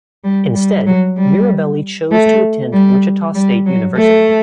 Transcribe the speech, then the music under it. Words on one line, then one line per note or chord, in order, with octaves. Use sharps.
Instead, Mirabelli chose to attend Wichita State University.
G3
G3
F#3
G3
A3
G3
G3
F#3
A3